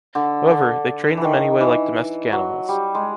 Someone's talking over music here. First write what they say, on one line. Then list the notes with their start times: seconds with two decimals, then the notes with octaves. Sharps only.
However, they trained them anyway like domestic animals.
0.15 D3
0.51 D3
1.17 E3
1.24 D#3
1.60 E3
2.32 F#3
2.69 G3
2.95 G#3